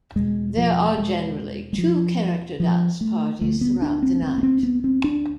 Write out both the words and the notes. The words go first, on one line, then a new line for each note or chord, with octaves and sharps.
There are generally two character dance parties throughout the night.
E2 B2 G#3
F3
G#3
G#3
F3
F3
A3
D2 D3 A3
B3
D4
C4
C4
B3
C4
B3
C4
D4